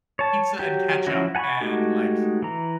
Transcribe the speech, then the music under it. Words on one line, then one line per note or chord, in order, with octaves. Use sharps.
pizza and ketchup and, like
C#5 A5
F#3 G4
F3 F#3 C#4 E4 F#4
F#5 G#5 A#5 B5 C#6
G#3 A3 D#4 F#4 G4
E3 A#5